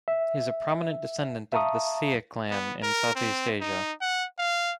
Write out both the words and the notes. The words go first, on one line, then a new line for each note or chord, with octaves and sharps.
He is a prominent descendant of Seah Clan in Southeast Asia.
E5
E5 F5 A5 A#5 C#6 D#6
B3
A#4
C4
D#4
F#5
F5